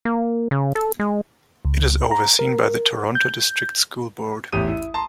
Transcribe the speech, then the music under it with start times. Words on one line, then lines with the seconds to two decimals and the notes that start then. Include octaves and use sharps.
It is overseen by the Toronto District School Board.
0.05 A#3
0.51 C#3
0.75 A4
0.99 G#3
1.65 C#2
2.11 A#5
2.39 A#4
3.15 G6
4.52 A1 E2 G4 D#6 D#7
4.68 E4
4.94 A5 A#5 C6